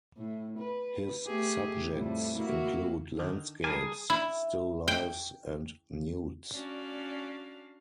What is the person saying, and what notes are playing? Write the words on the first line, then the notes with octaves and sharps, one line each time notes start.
His subjects include landscapes, still lifes, and nudes.
A2
B4
A3 G4 G#4
F2 A2 G3
A#3 E4 F#4
D3 D#3
G3 G#4 A#4 G#5 A5
E4
G5
C#4 D4 F#4 D5 F5